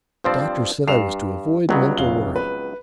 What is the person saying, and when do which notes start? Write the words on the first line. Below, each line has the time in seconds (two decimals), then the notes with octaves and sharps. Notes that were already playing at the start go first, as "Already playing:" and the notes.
The doctor said I was to avoid mental worry.
0.24 G2 F3 C4 C5 D5
0.88 G2 C7 E7 F7
1.69 C#2 F#3 G3 B3
1.98 F1 F5 G7
2.36 B4